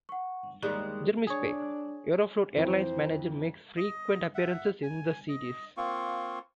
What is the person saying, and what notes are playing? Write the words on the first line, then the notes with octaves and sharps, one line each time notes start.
Jeremy Spake, Aeroflot Airlines Manager makes frequent appearances in the series.
F#5 C#6
D#2 G3 G#3 F#6
D4 G#4 C#5
F2 E3 C5
D#5
E5 F#5
G#5
D#5
A#3 C4 F4 C#6